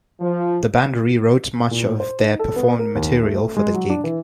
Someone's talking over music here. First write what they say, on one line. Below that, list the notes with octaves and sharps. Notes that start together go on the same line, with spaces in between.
The band rewrote much of their performed material for the gig.
F3
A#2
C5
D#4
A4
B3
A#4
D#2
A3
G#3
F#3
D4
E3